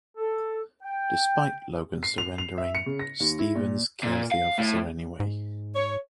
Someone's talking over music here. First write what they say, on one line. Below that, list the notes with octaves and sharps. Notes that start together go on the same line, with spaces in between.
Despite Logan surrendering, Stevens kills the officer anyway.
A4
G5
C7
F7
F7
E5
C#7
C#3
A#6
D#2
E4
A#2
A#2
F5
A2
G#2
C#5